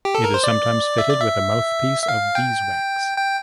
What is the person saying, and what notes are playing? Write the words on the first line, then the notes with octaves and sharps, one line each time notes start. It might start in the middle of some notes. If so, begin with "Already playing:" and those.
It is sometimes fitted with a mouthpiece of beeswax.
G4
A4
A#4
C5
D5
E5
D5
E5
E5
F5
G5
G5